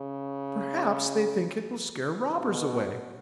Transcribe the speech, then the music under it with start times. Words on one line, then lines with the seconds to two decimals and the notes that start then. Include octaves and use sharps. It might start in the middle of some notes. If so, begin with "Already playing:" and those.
Perhaps they think it will scare robbers away.
Already playing: C#3
2.40 B2